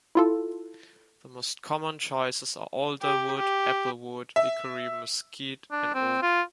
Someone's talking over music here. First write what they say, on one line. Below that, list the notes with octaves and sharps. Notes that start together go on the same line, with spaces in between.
The most common choices are alder wood, apple wood, hickory, mesquite, and oak.
E4 F4 A4
G4
G4
E5
D4
C4
F4